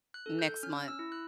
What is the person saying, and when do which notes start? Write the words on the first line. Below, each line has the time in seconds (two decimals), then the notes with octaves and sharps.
next month
0.14 F#6
0.26 A4
0.39 G6
0.63 C#4 F6
0.88 E6
0.99 E4
1.12 F#6